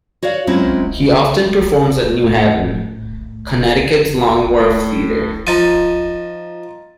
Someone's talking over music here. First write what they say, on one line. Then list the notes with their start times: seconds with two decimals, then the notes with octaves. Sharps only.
He often performs at New Haven, Connecticut's Long Wharf Theatre.
0.22 F#4 C#5 D5 F5
0.47 F#3 G#3 C4 C#4 E4 F4
2.24 A2
4.60 A2
5.47 F3 D#4 A#5 A6 D#7